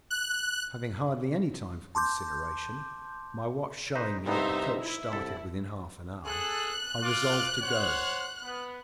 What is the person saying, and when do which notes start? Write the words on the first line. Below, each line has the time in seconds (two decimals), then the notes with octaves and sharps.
Having hardly any time for consideration,--my watch showing me that the coach started within half an hour,--I resolved to go.
0.10 F#6
1.95 A5 C6 D6 G6
3.95 D#4 B4 C5
4.26 C2 G2 B3 D#4 C5 E5
4.81 E4
5.12 C2 A4
6.26 G#4 A4 F#6
7.03 F4 D6
7.63 C5 C#5 F#5
8.43 B3